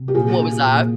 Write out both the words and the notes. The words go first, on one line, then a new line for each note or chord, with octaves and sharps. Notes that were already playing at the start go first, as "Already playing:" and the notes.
What was that?
Already playing: C3
G4
A#2 F4 G#4
A#2